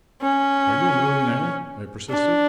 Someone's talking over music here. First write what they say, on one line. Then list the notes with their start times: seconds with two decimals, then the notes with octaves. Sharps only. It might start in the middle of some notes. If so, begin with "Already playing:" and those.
"Are you a millionaire?" I persisted.
0.22 C#4
2.11 D4